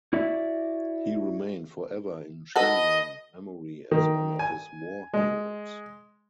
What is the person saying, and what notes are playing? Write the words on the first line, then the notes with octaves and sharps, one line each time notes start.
He remained forever in Chilean memory as one of his war heroes.
E4 F#4 D5 E5
F#4 A4 B4 D#5
D#3
G#5
G#3